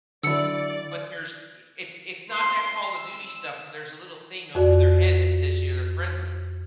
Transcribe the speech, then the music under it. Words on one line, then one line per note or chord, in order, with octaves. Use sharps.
but there's i it's it's not that Call of Duty stuff where there's a little thing over their head, that says you're friendly.
D3 F#3 E4 D5 E6 C#7
C6
E6
F2 F#4 D5